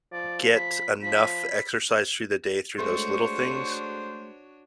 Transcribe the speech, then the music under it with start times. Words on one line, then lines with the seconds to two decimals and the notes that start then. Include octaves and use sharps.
get enough exercise through the day through those little things,
0.12 F3 D5
0.55 B5
1.02 F3 B5
2.79 G#3 A3 D4 F#4 C5 C#5 C#6